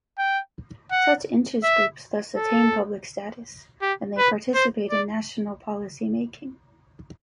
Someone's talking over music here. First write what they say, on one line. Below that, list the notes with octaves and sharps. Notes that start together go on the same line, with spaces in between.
Such interest groups thus attain public status, and they participate in national policymaking.
G5
F#5
E5
A4
G4
B4
C5
D5